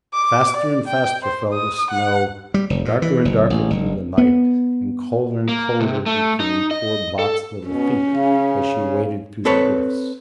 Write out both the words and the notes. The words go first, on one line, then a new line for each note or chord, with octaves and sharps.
Faster and faster fell the snow darker and darker grew the night, and colder and colder became poor Blot's little feet as she waded through the drifts.
D6
D5
G5
C5
D#6
F#5
G3
F1
A#2
E3
F#1
A1
F#1
B3
A#3
C3
A3
D#4
D#5
A4
B2 C#4
C#3
C4 A4 B4 C#5